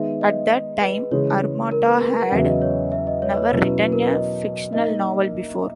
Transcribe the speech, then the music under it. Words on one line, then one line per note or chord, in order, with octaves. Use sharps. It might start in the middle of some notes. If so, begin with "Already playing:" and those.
At that time, Aramata had never written a fictional novel before.
Already playing: D#3 G#3 B3 E5
D#5
B4
C#3 E3 G#3 C#5
A#4
B4
B4
F#5
E2 C#3 F#3 C#4 F#4 E5
D#5
C#5
E5
D#5
C#5
B4
C#5
B2 F#3 C#4 E4 B4
B4
B4
A#4
B4
D#5
A#3 D#4 A#4 D#5 E5